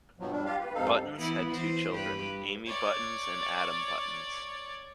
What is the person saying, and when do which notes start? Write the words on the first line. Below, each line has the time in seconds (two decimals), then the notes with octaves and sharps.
Buttons had two children, Amy Buttons and Adam Buttons.
0.20 G2 B2 F3 F#3
0.32 G3 D4
0.45 F4 G4 F5
0.60 B4
0.74 F2 G#2 C3 D#4 A4 F5
1.16 E3 B3 E4
1.50 E3 C5
1.91 G2 G4 B4
2.65 C#5 D5